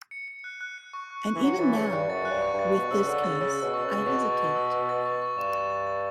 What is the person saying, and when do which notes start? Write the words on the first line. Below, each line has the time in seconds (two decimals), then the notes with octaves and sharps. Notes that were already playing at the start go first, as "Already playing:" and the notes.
And even now, with this case, I hesitate.
0.11 C#7
0.28 C#7
0.44 F#6
0.61 F#6
0.78 C#7
0.93 C#6
1.10 F#6
1.27 F#6
1.35 E3
1.43 F#3 C#7
1.59 E3 A6
1.76 C#3 C#7
1.92 G2 C#6
2.09 F#2 A6
2.25 F#6
2.31 G2
2.42 C#6
2.53 G2
2.59 A6
2.75 B2 C#6
2.91 C#3 E6
3.08 D3 E6
3.24 C#3 A6
3.40 C#3 E6
3.57 E6
3.62 B2
3.74 C#6
3.84 C#3
3.90 C#6
4.06 B2 C#6
4.23 A6
4.39 C#6
4.56 E6
4.72 E6
4.89 A6
5.05 C#6
5.22 C#6
5.37 G2 E7
5.54 A6
5.70 A6
5.87 A6